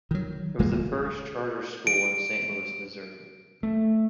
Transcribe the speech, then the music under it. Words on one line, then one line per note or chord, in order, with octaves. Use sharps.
It was the first charter school in Saint Louis, Missouri.
D#3 F#3
D1 G#3 A#3
D7
A3